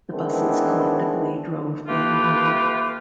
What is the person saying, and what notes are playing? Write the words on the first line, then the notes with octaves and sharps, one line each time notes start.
The buses collectively drove annually.
D#3 E3 G#3 B3 C4 D4
A3 A#3 F4 G4 B4